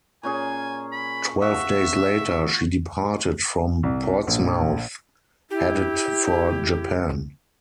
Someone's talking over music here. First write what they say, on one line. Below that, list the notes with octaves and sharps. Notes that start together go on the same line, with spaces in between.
Twelve days later, she departed from Portsmouth headed for Japan.
A#2 C#4 G#4 G#5
B5
F#4 E5 F5
C2
A#1
E4 G4